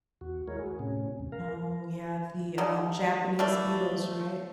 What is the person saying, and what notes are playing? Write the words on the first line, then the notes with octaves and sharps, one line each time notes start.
Oh, yeah, the, um, Japanese beetles, right?
E2 F#4
D#2 G#3 E4 A#4 C#5
F#4 G#4
A2 C3 C#4
E2
A#4 F5 A#5
D3 G3 D#4
E3 A3 A#3 D4